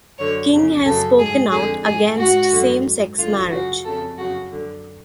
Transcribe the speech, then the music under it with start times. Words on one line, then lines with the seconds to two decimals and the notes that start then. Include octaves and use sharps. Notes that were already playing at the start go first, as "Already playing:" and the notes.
King has spoken out against same-sex marriage.
0.18 F#2 D3 C#5
0.52 F2 C#3
0.84 F#2 C#3 A4
1.18 G#2 G#4
1.51 F2 D3 G#4
1.85 G#2 G#4
2.17 G#2 F#4
2.51 F#2 D3
2.84 G#2
3.17 F#2 D3 F4
3.50 F#2 C#3 F#4
3.84 F2 C#3 A4
4.17 F#2 C#3 F#4
4.50 F#2 D3